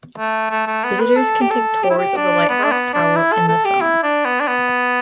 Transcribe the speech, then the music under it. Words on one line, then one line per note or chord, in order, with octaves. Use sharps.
Visitors can take tours of the lighthouse tower in the summer.
A3
A3
A3
B3
B4
A4
G4
A4
G4
E4
G4
D4
B3
D4
B3
D4
E4
A4
A4
G4
E4
D4
B3
D4
B3